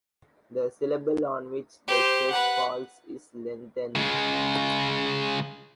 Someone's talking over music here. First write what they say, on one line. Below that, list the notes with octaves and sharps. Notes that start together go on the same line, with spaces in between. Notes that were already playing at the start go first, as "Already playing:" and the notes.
The syllable on which the stress falls is lengthened.
G4 C5
B4 F#5
C#3 G#3